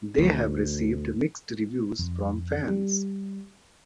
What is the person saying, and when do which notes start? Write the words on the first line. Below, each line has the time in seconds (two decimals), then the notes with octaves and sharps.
They have received mixed reviews from fans.
0.18 D2
1.99 F2
2.68 G3